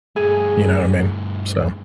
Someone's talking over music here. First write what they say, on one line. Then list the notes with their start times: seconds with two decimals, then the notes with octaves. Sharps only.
You know what I mean? So
0.16 G2 A3 G#4